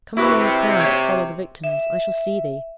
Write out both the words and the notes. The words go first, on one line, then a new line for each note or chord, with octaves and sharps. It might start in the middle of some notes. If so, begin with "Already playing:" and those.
Come among the crowd that follow the victims,--I shall see thee.
C3 E4 F#4 B4
C#5
E5